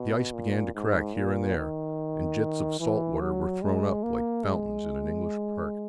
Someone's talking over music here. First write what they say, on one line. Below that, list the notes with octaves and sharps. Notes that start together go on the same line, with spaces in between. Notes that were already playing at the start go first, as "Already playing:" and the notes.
The ice began to crack here and there, and jets of salt water were thrown up, like fountains in an English park.
Already playing: B2
A#2
G#2
A#2
D#3
E3
F#3
G#3
A#3
G#3